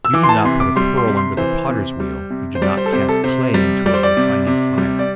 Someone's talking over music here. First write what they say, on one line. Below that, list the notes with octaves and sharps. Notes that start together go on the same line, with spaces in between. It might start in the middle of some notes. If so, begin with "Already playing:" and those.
You do not put a pearl under the potter's wheel; you do not cast clay into a refining fire.
E6
E3 D6
C6
A5
C3 C6
D6
G3 C6
C6
C3
C6
E3 C5
C3
G3
C3
C5
G3 D5
C5
A4
C3 C5
A4
C3 C5
G3
G3 D5
C5
D5
C3
C3
G3
D5